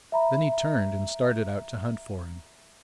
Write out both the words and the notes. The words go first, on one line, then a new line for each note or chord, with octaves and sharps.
Then he turned and started out to hunt for him.
E5 A#5 B5